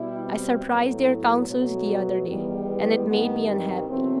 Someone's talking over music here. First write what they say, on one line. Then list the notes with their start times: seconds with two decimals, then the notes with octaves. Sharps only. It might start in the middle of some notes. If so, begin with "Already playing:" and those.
I surprised their councils the other day, and it made me unhappy.
Already playing: B2 G3 E4
0.24 C4
0.64 A2 F#3 A3 B3
1.45 B2 F#3 A3
2.26 E2 D#3 G3
3.07 G2 D#3 G3 B3
3.48 C4
3.89 E2 B2 F#3 A3 C4